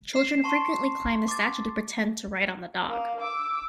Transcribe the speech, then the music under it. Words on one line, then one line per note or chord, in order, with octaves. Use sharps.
Children frequently climb the statue to pretend to ride on the dog.
C7 E7
A5 C6 C#6
D6 A6
A#3
D6 E6